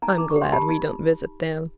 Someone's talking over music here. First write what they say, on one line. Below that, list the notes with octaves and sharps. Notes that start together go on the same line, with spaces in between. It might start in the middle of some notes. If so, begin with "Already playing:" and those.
I'm glad we don't visit them.
D#4 G#5 A#5
D#4 D6
C#6
G4
C6
G4 A5 B5
D#4